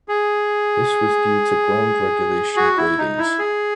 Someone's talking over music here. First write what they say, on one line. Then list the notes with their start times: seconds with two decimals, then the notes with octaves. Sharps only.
This was due to ground regulation gradings.
0.08 G#4
2.56 F#4
2.77 E4
2.98 D#4
3.18 E4
3.39 G#4